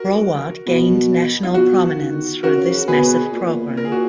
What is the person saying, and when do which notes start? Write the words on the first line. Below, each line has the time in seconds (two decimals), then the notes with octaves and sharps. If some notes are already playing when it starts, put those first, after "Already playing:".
Broward gained national prominence through this massive program.
Already playing: F#4 A#4
0.66 B2
1.43 F4
1.54 B2 F#4
1.99 D#3
2.43 C#3 F#4 A#4
2.88 B2 G#4 B4
3.33 A#2
3.77 A#4
3.85 G#4
3.92 F#4